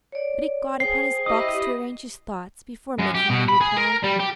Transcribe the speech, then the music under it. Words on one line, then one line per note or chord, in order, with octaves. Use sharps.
But he got upon his box to arrange his thoughts before making any reply.
C#5 D5
G#4 C5 G5 C7
E4 G4 D#5 D#6
F#2
G4
B2
B5
G#4
A#4
G3
G4